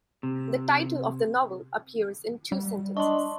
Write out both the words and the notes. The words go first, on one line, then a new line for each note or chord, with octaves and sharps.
The title of the novel appears in two sentences.
C3
G3
D4 D#5 C6 C#6